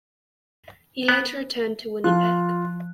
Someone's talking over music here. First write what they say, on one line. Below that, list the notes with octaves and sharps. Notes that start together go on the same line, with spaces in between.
He later returned to Winnipeg.
B3
F3 F4 F#6